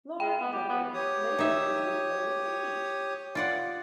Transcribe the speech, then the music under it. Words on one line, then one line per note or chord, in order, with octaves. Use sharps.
"Lord Dufferin" later was refloated and beached.
G#3 G5
B3
G4
B3
G4 C#5 D#6
D#4 E5
F4 D5 F#5